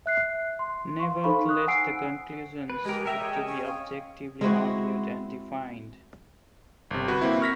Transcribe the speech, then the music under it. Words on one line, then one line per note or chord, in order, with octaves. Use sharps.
Nevertheless the conclusions have to be objectively argued and defined.
E5 F#6 C7
C6
F5 C6 C#6
D#4 A4 C5 F5 B5 C#6
D#6 F#6
F#5 G#5 E6 C7 D7
B4
G#3 G4 A#4
A#4 E5 G5 A#5
G#4 C#5 D#5
C#4
F5
G#3 C4 E4 F#4
G1 C3
F#4 B4
A#3 C4 E4
C#6 F6 A#6 B6